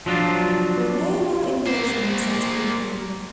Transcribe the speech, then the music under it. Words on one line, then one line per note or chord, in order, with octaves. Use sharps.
There were no more engagements that evening.
F3 F#3 D4 F4
A#3 C5